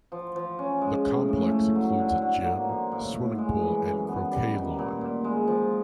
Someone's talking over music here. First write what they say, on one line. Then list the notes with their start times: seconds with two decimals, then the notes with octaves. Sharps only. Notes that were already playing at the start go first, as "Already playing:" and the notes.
The complex includes a gym, swimming pool and croquet lawn.
0.12 F3
0.36 F3
0.59 C#4
0.81 G#3
1.05 A2
1.29 A2
1.51 A3
1.75 F#3
1.99 D3
2.22 D3
2.45 A#3
2.69 F3
2.92 A2
3.15 A2
3.38 G#3
3.62 E3
3.85 F#2
4.09 B3
4.31 G3
4.54 D#3
4.78 A#2
5.01 A#2
5.24 G#3
5.48 F3